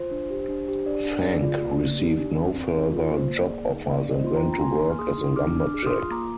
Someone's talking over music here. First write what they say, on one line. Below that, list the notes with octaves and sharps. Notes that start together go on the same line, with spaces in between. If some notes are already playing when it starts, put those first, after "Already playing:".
Fanck received no further job offers and went to work as a lumberjack.
Already playing: F4 C5
D4
G4
D4
G4
D4 D5
D4
G#4 D5
F4
A#3
A#3
G4
D4
C4
C4
G#4
F4
A#3 C5
A#3
D5
G#4
D#4
A#3 D5
A#3
C5 D#5
F4 C6
G5 A#5
D4
A#5
A#3 G#5 C6
A#3
F6
G#4 C6 D#6
D#4
D4 D6 F6
D4
D6 F6
G#4 F6
C6 D#6
F4
A#3 A#5 D6